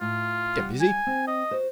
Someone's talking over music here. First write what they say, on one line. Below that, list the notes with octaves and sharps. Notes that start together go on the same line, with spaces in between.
"Get busy."
A2 F4
G3 F#5 G5
G#5
C4
D#5
F#4 C5